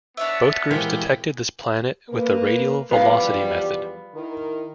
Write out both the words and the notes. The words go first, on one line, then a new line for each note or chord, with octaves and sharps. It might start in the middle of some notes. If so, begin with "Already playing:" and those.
Both groups detected this planet with the radial velocity method.
B3 D4 C#5 E5
A#2 E3 G#3 C4 G4 A#4
A#3 B4
E2 F3 G3 B3 F5
D#3 E4 A#4